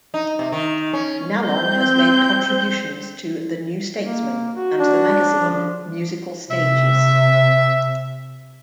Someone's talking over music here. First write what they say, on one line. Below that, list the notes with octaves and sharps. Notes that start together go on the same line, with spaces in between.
Nallon has made contributions to "The New Statesman" and the magazine "Musical Stages".
D#4
C3
D#3
C#4
C4 G6
A#3
F#4
D4
F3
C3 E5